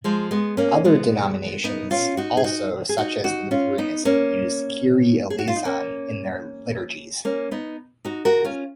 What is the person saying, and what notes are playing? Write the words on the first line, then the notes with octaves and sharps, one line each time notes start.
Other denominations also, such as Lutheranism, use "Kyrie, eleison" in their liturgies.
F3 G#3
G#3 B3
A#3 C#4
G#3 B3
B3 D#4
C#4 F4
D#4 F#4
G#4
D#4 F#4
G#4
D#4 F#4
D#4 F#4
C#4 F4
B3 D#4
A#3 C#4
G#4
F#4
F4
D#4
A#3 C#4
A#3 C#4
B3 D#4
D#4 F#4
F#4 A#4
C#4 F4